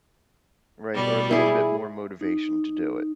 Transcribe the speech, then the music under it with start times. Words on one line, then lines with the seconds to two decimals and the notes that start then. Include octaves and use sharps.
Right? Or, a little bit more motivation to do it.
0.94 B2 G3 D5
1.31 E4 G#4
2.21 D#4